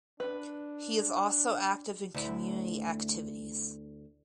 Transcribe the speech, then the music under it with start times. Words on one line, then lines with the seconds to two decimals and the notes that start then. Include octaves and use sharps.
He is also active in community activities.
0.20 D4 B4
2.14 D2 E4